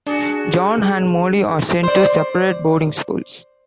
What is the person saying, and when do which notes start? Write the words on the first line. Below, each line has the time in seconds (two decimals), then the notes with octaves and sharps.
John and Molly are sent to separate boarding schools.
0.07 D4 F#4 G#4
1.83 C5 D5